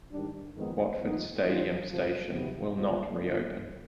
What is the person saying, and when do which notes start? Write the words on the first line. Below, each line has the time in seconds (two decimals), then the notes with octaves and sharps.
Watford Stadium station will not re-open.
0.10 G#2 D#3 G3 D4
0.55 F2 D#3 G#3 B3 D#4
0.99 F2 D#3 B3 D#4
1.44 F2 D#3 G3 D4 F4
1.88 D2 C3 F3
2.32 D2 C3 D#3 B3
2.76 D#2 D3 G#3 B3 F4
3.20 D3 F3 B3 D4 F4